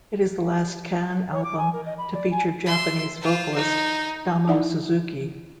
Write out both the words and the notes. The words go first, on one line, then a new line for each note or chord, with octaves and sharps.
It is the last Can album to feature Japanese vocalist Damo Suzuki.
C#5
D6
G#5
A#4
D#5
B5
D5
G#5
E5 C6
F4 C5
D#4
D#4 E4 D5 E5 F#5